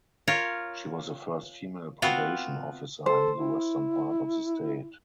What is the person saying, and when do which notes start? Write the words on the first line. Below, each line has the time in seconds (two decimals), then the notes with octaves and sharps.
She was the first female probation officer in the western part of the state.
0.28 F4 A#4 C#5
2.02 B3 C4 F4 F#4
3.06 A4 C5
3.36 E4